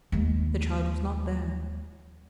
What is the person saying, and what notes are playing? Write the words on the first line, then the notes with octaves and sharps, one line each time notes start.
The child was not there.
D#2 G#3